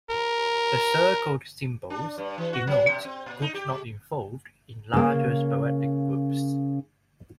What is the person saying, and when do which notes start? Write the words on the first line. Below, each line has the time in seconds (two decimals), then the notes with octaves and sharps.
The circled symbols denote groups not involved in larger sporadic groups.
0.10 A#4
1.90 D4
2.18 G2
2.38 E3
2.53 F#4
2.67 F#3
2.88 B2
3.05 C4
3.26 A#2
3.42 D#4
3.54 G4
3.70 G#3
4.93 C#3 A#3